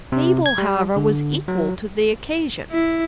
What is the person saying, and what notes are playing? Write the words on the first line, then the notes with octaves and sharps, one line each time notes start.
Mabel, however, was equal to the occasion.
C3
G#6
G3
D3
F#3
E4